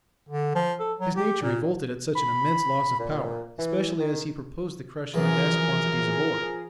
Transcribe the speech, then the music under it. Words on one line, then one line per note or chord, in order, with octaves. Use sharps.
His nature revolted at such an immense loss of power, especially as he proposed the crushing of vast quantities of ore.
D3
F3
A4
F#3
G4
A#2
B5
A#2
E3
D#3
F#2 E3 F3 G#4 A#4